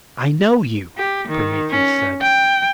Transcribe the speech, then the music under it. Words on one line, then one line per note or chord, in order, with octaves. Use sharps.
"I know you," Prometheus said.
G4
D#3
C#4
G5